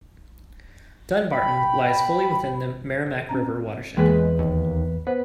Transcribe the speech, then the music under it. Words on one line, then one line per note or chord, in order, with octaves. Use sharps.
Dunbarton lies fully within the Merrimack River watershed.
G5 B5
C4 C#4 A#5
E2 E3 G#3 A#3 G#4 B4
D#2
B3 B4 C5